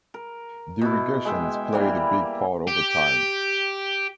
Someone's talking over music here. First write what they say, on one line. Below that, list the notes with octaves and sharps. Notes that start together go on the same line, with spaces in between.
The irrigations played a big part over time.
A#4
B2 E4
G#3 E5 G5
E3 G3 A#3
G4